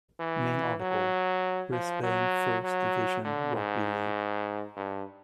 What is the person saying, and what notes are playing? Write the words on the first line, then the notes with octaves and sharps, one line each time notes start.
Main article: Brisbane First Division Rugby League.
E3
F#3
F3
F#3
F#3
D3
G#2
G2